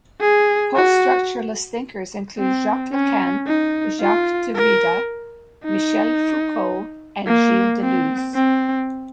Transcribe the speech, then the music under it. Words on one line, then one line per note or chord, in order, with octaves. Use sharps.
Post-structuralist thinkers include Jacques Lacan, Jacques Derrida, Michel Foucault and Gilles Deleuze.
G#4
F#4
C4
C#4
D#4
F4
A#4
D#4
A#3
C4
C4